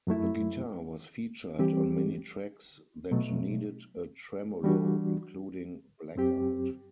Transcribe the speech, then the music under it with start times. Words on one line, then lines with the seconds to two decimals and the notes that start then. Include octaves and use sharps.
The guitar was featured on many tracks that needed a tremolo, including "Blackout".
0.07 F#2 F#3 A3 E4
1.59 E3 G3 C4 G4
3.11 B2 F#3 A3
4.63 E3 G3 D4 F#4
6.16 F#2 F#3 C4 G4